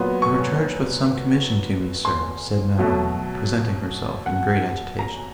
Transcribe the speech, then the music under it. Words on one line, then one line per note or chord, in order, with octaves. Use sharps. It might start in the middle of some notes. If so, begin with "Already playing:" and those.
'You are charged with some commission to me, sir,' said Madeline, presenting herself in great agitation.
Already playing: A#2 F#3 B3 C6
C#6
C6
B2 F#3 A3
F#5
A#5